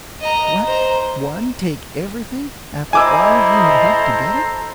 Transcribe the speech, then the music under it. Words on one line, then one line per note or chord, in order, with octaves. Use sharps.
"What--one take everything, after all of you had helped to get it?"
D#5 A#5
C5 A#5
E4 A4 C5 D#5 G#5 A#5 D6 E6